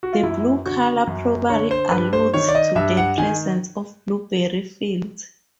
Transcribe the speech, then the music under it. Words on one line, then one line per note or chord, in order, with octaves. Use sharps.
The blue color probably alludes to the presence of blueberry fields.
F#4
F4
F#2 E4
D3 F#4
F#2
D3 C#5
C5
G2 B4
C5
D#3 C#5
D5
D#5
G2 E5
F#5
D#3 G#5